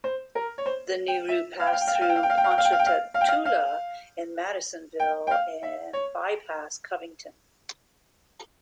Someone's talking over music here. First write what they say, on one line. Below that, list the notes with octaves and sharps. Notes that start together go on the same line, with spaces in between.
The new route passed through Ponchatoula and Madisonville and bypassed Covington.
C5
A#4
C#5
C5
G5
E5
F5
G5
F5
G5
F5
G5
F5
G5
F5
G5
F5
G5
F5
G5
F5
G5
F5
G5
F5
F5
G5
F5
F5
G5
G5
F5
E5
C#5